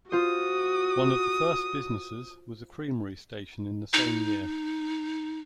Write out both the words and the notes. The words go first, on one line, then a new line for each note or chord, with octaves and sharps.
One of the first businesses was a creamery station in the same year.
F4 F#4 C5 D#6
D#4